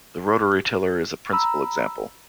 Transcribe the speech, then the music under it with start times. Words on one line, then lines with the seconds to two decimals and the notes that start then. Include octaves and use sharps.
The rotary tiller is a principle example.
1.33 A#5 B5 E6